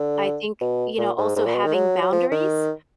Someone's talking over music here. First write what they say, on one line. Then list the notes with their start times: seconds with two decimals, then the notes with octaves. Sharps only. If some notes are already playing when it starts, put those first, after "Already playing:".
I think, you know, also having boundaries,
Already playing: D3
0.61 B2
0.98 A#2
1.18 G#2
1.36 G#2
1.46 A#2
1.55 B2
1.65 D#3
1.74 F#3
2.02 F#3
2.12 F3
2.31 D#3